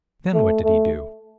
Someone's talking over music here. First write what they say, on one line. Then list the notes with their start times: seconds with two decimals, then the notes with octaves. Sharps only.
Then what did he do?
0.34 A3
0.64 A3